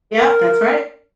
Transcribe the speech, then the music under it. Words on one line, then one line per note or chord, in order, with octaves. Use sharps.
Yeah, that's right.
A#4